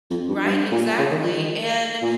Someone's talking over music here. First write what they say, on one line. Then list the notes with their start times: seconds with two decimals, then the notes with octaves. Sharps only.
Right, exactly, and,
0.11 F2
0.28 G2
0.45 G2
0.72 A#2
0.98 C#3
1.11 D#3
1.24 F3
1.37 D#3
2.02 A#2